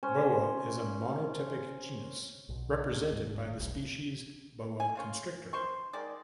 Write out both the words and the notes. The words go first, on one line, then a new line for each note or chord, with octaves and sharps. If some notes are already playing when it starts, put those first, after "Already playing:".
"Boa" is a monotypic genus, represented by the species "Boa constrictor".
C#4 C5
B1 B2
D2 C#3
D#1 G#2 G#3
B1 E2 G2 B2
G#5
C#3 F4 C#5
C5 C6 C#6
D#3 G#3 D5